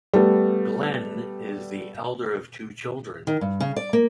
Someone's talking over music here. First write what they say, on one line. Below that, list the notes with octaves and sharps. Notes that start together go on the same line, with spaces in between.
Glenn is the elder of two children.
G3 A3 B3
D#3
G2
C#3
D5
A#3